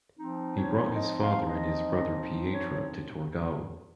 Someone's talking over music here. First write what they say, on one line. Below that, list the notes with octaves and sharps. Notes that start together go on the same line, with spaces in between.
He brought his father and his brother Pietro to Torgau.
F3 C4 D#4
C#5
D#5
F5
D#5
C#5